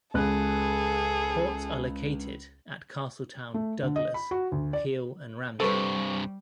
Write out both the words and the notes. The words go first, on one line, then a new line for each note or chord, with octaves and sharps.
Ports are located at Castletown, Douglas, Peel and Ramsey.
C#2 G#4 A4 F#6
A3
D3
D#5
B5
F#4
D2
D5
G2 C3 G3 A4 B4 C5 C#6